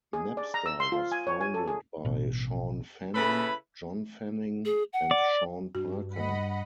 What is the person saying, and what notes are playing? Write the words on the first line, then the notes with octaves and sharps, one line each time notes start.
Napster was founded by Shawn Fanning, John Fanning, and Sean Parker.
G#4
D5
A#5
E6
C6
F4
G#5
C#5
G#5
A4
G#4
A1 B2
C#3 E4 A4 B4 B5
G#4
F#5
D5
G2 F#4
D#5 F#5 B5